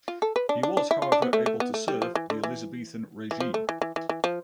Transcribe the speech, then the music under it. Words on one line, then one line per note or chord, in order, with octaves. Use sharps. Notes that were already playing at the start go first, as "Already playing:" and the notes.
He was however able to serve the Elizabethan regime.
F4
A4
B4
D4
D4
D4
E4
F4
D4
B3
A3
A3
B3
A3
G3
F3
E3
D3
E3
E3
F3
A3
E3
E3
E3
E3
F3